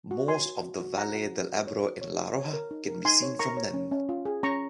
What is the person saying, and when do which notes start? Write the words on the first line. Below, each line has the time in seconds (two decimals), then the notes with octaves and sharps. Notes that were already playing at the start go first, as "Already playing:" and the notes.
Most of the valle del Ebro in La Rioja can be seen from them.
0.11 F#4
0.28 C#5 G#5 C6
0.46 F#4
0.63 F#4
0.80 F#4
0.97 C#5 F#5 A#5
1.15 F#4
1.32 F#4
1.49 F#4
1.67 C#5
1.84 F#4
2.02 C#5
2.18 F#4
2.36 C#5
2.53 A#4
2.71 D#4
2.88 A#4
3.05 D#4 G#5 C6
3.22 C#5
3.39 A#4 A#5 C#6
3.57 C#5
3.74 C#4
3.91 C#4
4.09 F4
4.25 G#4
4.43 C#4 A#5 C#6